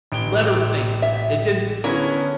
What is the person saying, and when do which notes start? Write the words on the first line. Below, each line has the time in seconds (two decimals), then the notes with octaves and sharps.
let her think that, it didn't
0.12 A1 D7 G7
1.02 E5
1.84 D3 B3 C#4 E4 A#4